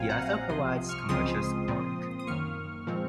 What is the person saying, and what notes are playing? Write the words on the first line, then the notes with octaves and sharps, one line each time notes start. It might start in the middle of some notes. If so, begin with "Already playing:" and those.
The author provides commercial support.
Already playing: A#1 A#2 F#3 C4 F5 G#5
F#5 A#5
F#5 A#5
C2 C3 F3 C6 D#6
C#6 F6
C#2 C#3 F3 G#3 C4 C6 D#6
A#2 F3 C4
D#6
F#2 D#3 A#3 C#6 F6
A#2 F3 G#3 C4